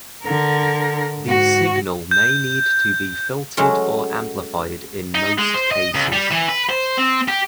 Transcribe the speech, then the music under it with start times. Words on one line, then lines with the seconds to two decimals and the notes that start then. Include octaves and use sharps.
The signal may need to be filtered or amplified in most cases.
0.23 D3 A#4
1.24 G#2 F#4
2.11 G6
3.57 F#3 G#3 A3 C#4
5.15 D#4
5.38 G#3
5.54 C5
5.71 D#5
5.94 C#2
6.12 G3
6.31 E3
6.48 B4
6.69 C5
6.98 C4
7.29 G4